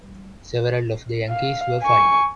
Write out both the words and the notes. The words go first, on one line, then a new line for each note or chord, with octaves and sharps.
Several of the Yankees were fined.
F5
G#5 C#6